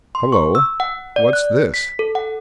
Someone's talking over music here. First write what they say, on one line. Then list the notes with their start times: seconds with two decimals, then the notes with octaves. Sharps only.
"Hullo, what's this?"
0.15 C6
0.32 C#6
0.55 E6
0.80 F#5
1.16 D5
1.33 F#6
1.74 B6
1.99 A4
2.15 F#5